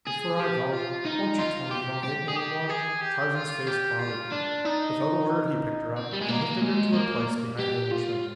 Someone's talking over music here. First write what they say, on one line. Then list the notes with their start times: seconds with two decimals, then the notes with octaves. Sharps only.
"Before I go won't you tell me you don't hate me any more?" Tarzan's face clouded. Without a word he picked her up and lifted her to her place behind the Englishman.
0.07 G#4
0.40 G4
0.73 F4
1.05 D#4
1.38 F4
1.71 G4
2.03 G4
2.28 G#4
2.36 G4
2.69 G#4
3.01 G4
3.35 F4
3.67 G4
3.99 F4
4.32 D4
4.65 D#4
5.96 C4
6.13 G3
6.21 G#3
6.28 A#3
6.61 G#3
6.93 A#3
7.60 G4
7.92 F4